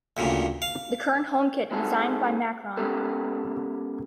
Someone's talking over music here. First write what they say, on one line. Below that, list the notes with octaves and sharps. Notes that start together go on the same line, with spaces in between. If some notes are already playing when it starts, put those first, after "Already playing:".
The current home kit designed by Macron.
D2 G2 A#2 C#3
F5
G#3 C4 D#4 F#4 G#4 A4
G#3 B3 C#4 G4 A4 A#4